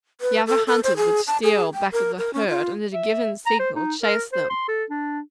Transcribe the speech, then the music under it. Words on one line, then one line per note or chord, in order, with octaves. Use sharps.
The other hunters would steal back of the herd, and at a given signal chase them.
B4
A4
A4
C5
G#4
A5
G#4
G5
A#4
A#4
C#4
F4
E5
A#5
C5
D#4
A#4
C5
C6
A4
D4